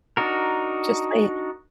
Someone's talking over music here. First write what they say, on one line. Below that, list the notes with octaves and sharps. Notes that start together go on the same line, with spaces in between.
just saying
D4 D#4 F#4 A#4